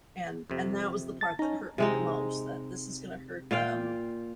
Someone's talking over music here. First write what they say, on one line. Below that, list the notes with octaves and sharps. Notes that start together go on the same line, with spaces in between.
And and that was the part that hurt me the most that this is gonna hurt them.
F2 C3
A5 A6
C#4 D#4 A#5
C3 G#3 D#4
A#2 F4 F5 G5